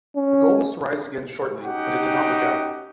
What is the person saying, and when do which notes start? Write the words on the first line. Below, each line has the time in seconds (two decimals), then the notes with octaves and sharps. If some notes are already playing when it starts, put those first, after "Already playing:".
The goal was to rise again shortly, but it did not work out.
0.16 C#4
1.63 C#4 D#4 F#4 G4 F#5 G5